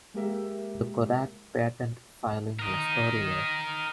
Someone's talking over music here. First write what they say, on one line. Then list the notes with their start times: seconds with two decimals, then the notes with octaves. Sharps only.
The Kodak patent filing was earlier.
0.14 G#3 A#3 G4 A#4 E5
2.59 A#4 D#5